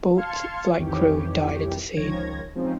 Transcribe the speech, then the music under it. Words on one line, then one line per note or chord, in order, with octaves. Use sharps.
Both flight crew died at the scene.
F5 A5 C6 F6 G#6 C#7
C2 F2 D#3 E3 G4 C#5
C#2 D#3 F3 C#5 G#6 A#6
F3 G#3 C4 C#4 D#4